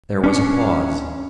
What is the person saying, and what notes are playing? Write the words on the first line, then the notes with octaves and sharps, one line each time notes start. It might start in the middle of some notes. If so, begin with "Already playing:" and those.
There was a pause.
C#4 D4